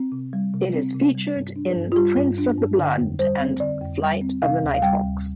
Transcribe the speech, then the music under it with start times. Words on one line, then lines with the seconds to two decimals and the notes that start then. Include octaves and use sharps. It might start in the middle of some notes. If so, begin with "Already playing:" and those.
It is featured in "Prince of the Blood" and "Flight of the Nighthawks".
Already playing: C4
0.12 C3
0.33 G3
0.54 C3
0.74 C4
0.95 C3
1.15 G3
1.35 G2
1.56 D4
1.76 G2
1.92 F4
1.96 G3 G4
2.17 G2
2.38 D4
2.58 G2
2.79 D3
2.99 F2
3.19 G3 C5
3.40 C4
3.60 D3 D5
3.81 F2
4.02 G3
4.21 C4
4.42 C3 F5
4.63 D2
4.74 F5
4.82 G3 G5
5.03 D2